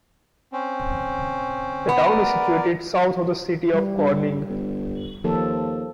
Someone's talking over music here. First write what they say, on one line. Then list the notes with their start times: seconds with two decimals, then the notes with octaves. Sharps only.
The town is situated south of the city of Corning.
0.53 C4 C#4
1.89 B3
2.10 A#4 D5
3.74 G3
3.97 G2
4.49 G1
5.24 D#2 F3 A4